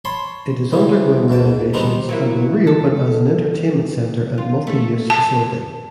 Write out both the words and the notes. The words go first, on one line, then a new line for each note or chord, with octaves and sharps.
It is undergoing renovations and will re-open as an entertainment center and multi-use facility.
C#5 A5 B5 C6
C#3 E3 G3 C4
D2 G#2 B2 A5
D#3 G3 B3 C4 D4 D#4
F#3 A#3 E4
A4
F4
A3
A5